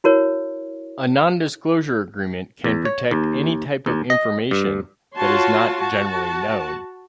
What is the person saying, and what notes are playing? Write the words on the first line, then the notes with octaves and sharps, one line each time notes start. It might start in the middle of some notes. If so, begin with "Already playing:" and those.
A nondisclosure agreement can protect any type of information that is not generally known.
E4 F#4 A#4 C#5
E2
C#5
D#2
D#2
D#5
G2
F4 F#4 C#5 A5 C6
F#4 A5